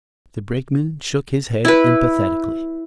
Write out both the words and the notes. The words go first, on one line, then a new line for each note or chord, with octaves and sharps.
The Brakeman shook his head emphatically.
E4 B4